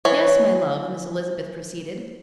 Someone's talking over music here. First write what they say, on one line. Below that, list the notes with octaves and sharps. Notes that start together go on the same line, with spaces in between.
"Yes, my love!" Miss Elizabeth proceeded.
E3 C#5